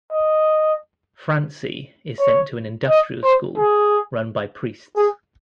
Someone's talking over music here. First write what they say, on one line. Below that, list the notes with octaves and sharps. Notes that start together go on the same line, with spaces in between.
Francie is sent to an 'industrial school' run by priests.
D#5
C#5
D#5
C5
G#4
G#4